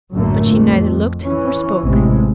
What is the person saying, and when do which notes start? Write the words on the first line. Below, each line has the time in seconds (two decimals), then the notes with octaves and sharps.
But she neither looked nor spoke.
0.13 A1 F#2 D3 A3 A#3
0.49 F2
1.23 E3 C#4
1.82 A1 E2 C3 G#3